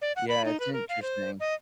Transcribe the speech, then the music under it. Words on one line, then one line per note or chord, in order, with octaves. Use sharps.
Yeah, it's interesting.
D5
F#5
B5
D#4
B4
A#4
F5
C5
D#5